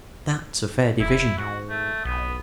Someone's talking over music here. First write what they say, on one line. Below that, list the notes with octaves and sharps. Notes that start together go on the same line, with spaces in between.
That's a fair division.
E1 E4
G#2 F#4
A3
B1 B3